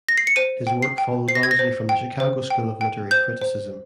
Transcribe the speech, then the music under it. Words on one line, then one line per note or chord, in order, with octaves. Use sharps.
His work followed largely from the Chicago school of literary criticism.
A#6
C7
C#7
C5 D#7
G5
C7
G5
C5 C7
A#6
G#6
A#6
C5
G5
C5
G5
G5
C5 G6
C5